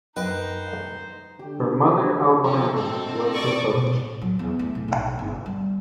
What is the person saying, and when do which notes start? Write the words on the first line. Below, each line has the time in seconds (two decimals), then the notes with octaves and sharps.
Her mother, Albina, was her coach.
0.16 F#2 D#4 B4 C5 D#5 G5
1.39 D3 G4
2.44 D2 B2 F3 A4
2.77 C4
3.33 D5 C#6 D#6
3.73 B2
3.93 A2
4.21 F#3
4.39 E2
4.59 A3
4.75 A2
4.88 B1
5.19 G1
5.46 G3